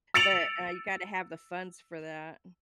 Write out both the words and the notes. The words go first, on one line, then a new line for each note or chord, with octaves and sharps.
but uh you gotta have the funds for that.
E6 A6 C#7 D7 F7 F#7